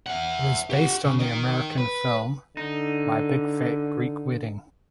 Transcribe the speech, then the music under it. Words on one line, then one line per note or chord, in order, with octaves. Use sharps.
It is based on the American film "My Big Fat Greek Wedding".
E5 F#5
G4 F#5
C#3
A#4 D#5
B4
D3 D#4